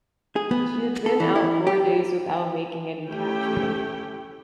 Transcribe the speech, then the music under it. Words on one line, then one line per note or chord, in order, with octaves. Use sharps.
She had been out four days without making any captures.
G#4
B3
A4
E3
E4
G4
A3 C#4 E4 G4 G5